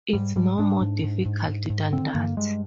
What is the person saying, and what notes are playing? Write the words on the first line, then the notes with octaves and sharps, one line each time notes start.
It's no more difficult than that!
G#2 G3
G#2 G3
G#2 D4
G#2
G#2
G#2
G#2
G#2
D3 C4
G2 A#3
G2 G#3